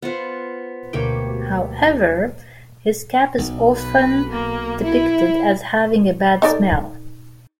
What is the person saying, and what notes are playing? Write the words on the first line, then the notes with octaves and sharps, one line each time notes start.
However, his cap is often depicted as having a bad smell.
B3 F4 B4 C5 F#5
D2 B2 A#3 G4 C#5 G5
B1
B4
A#3
E4
D#4 A4 D5